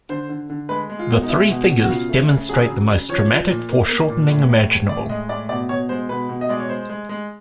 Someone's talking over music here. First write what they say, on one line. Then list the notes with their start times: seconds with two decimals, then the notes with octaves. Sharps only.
The three figures demonstrate the most dramatic foreshortening imaginable.
0.09 D3 C5
0.29 D3
0.50 D3
0.69 G#3 B4
0.90 G#3
0.99 F4
1.09 B2
1.23 D#4
1.29 G#3 E4
1.49 B2
1.69 B2
1.82 F#4
1.89 C#3 F4
2.09 A3
2.29 C#3
2.49 F#3 G#4
2.70 C#3
2.89 C#3
3.09 F3 C#5
3.29 F3
3.50 A#2
3.69 A#3
3.89 A#3
4.10 A#2
4.29 A2
4.49 A2
4.69 A2
4.89 A2 D5
5.09 G#3 D#5
5.29 A2 D5
5.49 B2 D5
5.69 B2 C#5
5.89 G#3 C5
6.09 B2 B4
6.29 B2
6.41 D#5
6.49 G#3 D5
6.60 C#5
6.69 G#3 C5
6.89 G#3
7.09 G#3